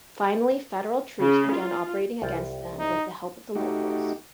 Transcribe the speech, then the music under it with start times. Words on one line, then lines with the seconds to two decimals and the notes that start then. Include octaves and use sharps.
Finally Federal troops began operating against them with the help of the locals.
1.21 C#3
1.50 F4
2.22 C2 F4 G5
2.80 D#4
3.55 A3 D#4 F#4 G4